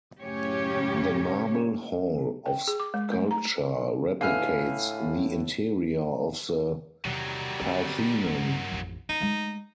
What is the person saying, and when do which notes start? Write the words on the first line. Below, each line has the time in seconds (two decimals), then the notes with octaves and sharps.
The marble Hall of Sculpture replicates the interior of the Parthenon.
0.21 F#2 A2 C#3 C#4 G4 C#5
2.46 G5
2.68 G#4
2.80 D6
2.94 G#3
3.12 A3
3.31 A#5
4.21 A2 D3 B4 E5 F5 G#5 F6
7.05 E2 C3 D#3 F#3 G3
7.61 D3 C4
8.25 G2
8.72 A1 F2
9.09 A#3 D#4
9.20 G#3 A3